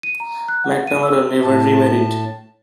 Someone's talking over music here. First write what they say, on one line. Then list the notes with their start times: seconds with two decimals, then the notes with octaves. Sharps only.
McNamara never remarried.
0.03 D#7
0.20 A#5
0.48 F#6
0.64 F#5
0.87 D#7
1.03 E6
1.43 A2 A5